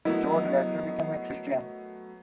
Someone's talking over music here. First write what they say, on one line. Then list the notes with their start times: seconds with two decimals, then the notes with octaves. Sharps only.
Joad later became a Christian.
0.05 F#3 A3 B3 E4 A#4 D#5